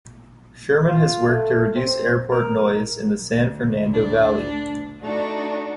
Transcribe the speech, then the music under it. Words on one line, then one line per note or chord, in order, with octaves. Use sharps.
Sherman has worked to reduce airport noise in the San Fernando Valley.
F4
A3
C4
A#4
D2
D4
A3 D4 D#4 F#4